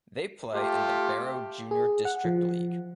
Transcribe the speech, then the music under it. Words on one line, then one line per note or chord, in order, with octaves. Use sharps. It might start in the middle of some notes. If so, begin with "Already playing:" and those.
They play in the Barrow junior district league.
A3 F4 G4
G#4
F#5
F3